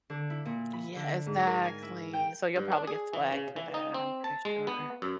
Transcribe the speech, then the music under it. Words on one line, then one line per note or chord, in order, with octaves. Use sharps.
Yeah, exactly. So you'll probably get flagged for that, I'm pretty sure.
D3
E4
A#2
B5
D3
G#2
A#4
G#5
E4
G5
G2
D4
G#4
E3
C#3
E3
D#4
C4
A5
G#3
B3
F#2